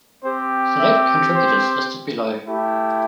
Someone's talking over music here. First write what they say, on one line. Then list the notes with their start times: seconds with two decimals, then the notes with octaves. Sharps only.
Select contributors listed below.
0.22 C4 G4 C5
0.78 E5
1.33 C5
2.46 A3 E4 G4